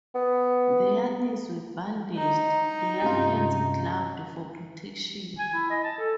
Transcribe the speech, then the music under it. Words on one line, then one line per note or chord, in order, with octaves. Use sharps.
Their knees were bandaged, their hands gloved, for protection.
B3
D#4 A#5
G2 C3 C#4 F4 A#5
G#5
E4
D#5
A5
A4